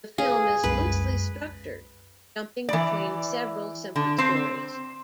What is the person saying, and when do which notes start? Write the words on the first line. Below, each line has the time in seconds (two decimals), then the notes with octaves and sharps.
The film is loosely structured, jumping between several simple stories.
0.18 G#4 B4 F5
0.64 C2 F#2 G#3 B4
2.69 E3 D5
3.96 D3
4.18 C4 C5